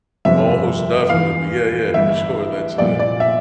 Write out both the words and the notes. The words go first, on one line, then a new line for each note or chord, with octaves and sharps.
Most definitely. Yeah, yeah, for sure. That's a
G1 F2 C3 F3 E5
E2 E3 F5
A1 G2 D3 E5
C2 A#2 F3 D5
D5
E5